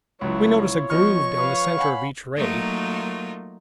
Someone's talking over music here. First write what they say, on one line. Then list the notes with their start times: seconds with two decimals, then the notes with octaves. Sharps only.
We notice a groove down the centre of each ray.
0.21 C#2 F#3 E4 F4 C#5
0.90 F3 B3 D#5 C#6 F6
1.36 B4 F5
1.78 F5 F#5 G#5 B5
2.37 F#3 A3 A#3 D#4 F4 A#4